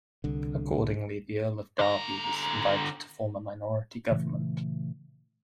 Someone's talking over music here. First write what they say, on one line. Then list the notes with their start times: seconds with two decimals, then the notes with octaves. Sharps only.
Accordingly, the Earl of Derby was invited to form a minority government.
0.24 C2 D3
1.79 D3 A#5
4.11 A#2 C#3 E3 A3